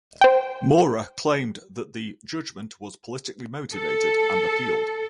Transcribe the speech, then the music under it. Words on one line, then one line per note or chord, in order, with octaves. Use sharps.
Maurer claimed that the judgement was "politically motivated" and appealed.
C5 G5
A4